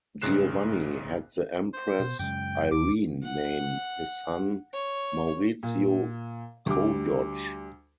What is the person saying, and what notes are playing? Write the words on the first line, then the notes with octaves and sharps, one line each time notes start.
Giovanni had the Empress Irene name his son Maurizio co-doge.
A#1 G#2 C#3 F#6 C7 E7
C5
B2
F#2 C#3 G#3 G5
D#2 D6
F#5
C#5
A#2
D2 G3 D6